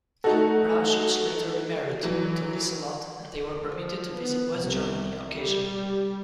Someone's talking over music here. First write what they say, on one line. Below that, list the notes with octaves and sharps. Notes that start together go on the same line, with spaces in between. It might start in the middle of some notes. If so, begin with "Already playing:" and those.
Brauchitsch later remarried, to Lieselotte, and they were permitted to visit West Germany occasionally.
A3 D#4 F#4 A4
E3 F#3
F3
B3
C2
G3